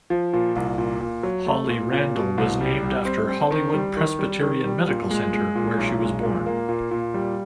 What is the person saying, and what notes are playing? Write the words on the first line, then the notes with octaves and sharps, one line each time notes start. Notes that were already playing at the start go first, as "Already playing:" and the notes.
Holly Randall was named after Hollywood Presbyterian Medical Center where she was born.
F3
A#2
C2
A#2
A#2
F#3
A3
A#2
A#2
B2
C2
G3
G3
C4
C4
D#3
G3
D#3
G3
D#3
G3
A#2
G#3
G#3
A#2
B1
G#3
A#2
A#3
A#2
A#2
G3